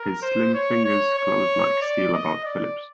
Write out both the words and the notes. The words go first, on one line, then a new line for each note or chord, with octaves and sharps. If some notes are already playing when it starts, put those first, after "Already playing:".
His slim fingers closed like steel about Philip's.
Already playing: A#4
C5
C#5
C#5
C#5
D5
D#5
D5